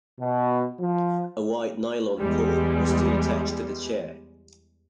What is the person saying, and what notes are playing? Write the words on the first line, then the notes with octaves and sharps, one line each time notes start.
A white nylon cord was still attached to the chair.
B2
F3
E2 G3 G#3